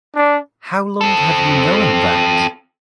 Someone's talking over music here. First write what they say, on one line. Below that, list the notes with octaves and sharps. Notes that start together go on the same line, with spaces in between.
How long have you known that?
D4
C4 A4